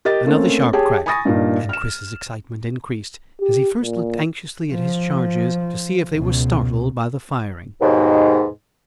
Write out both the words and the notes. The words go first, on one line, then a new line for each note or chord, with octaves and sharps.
Another sharp crack, and Chris's excitement increased, as he first looked anxiously at his charges to see if they were startled by the firing.
G4 A#4 D#5 A6
A3 A#3 C4 C#4
G4 G#4 C#5 G5 A5
G#5 B5 C#6 D#6 A6 A#6
G2 A#2 D#4
F6 E7
G4
A#2
F3
C#2 B2
D#2 G#2 B2